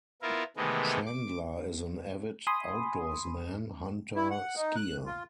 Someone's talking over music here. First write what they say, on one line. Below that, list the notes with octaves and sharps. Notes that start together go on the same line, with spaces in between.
Chandler is an avid outdoorsman, hunter, skier.
B3 E4 F4 A#4
C3 D#3 E3 G#3 A3 B3
D6
G#5 B5 C6 D#6
E4
F#5
D#4
F#6
F4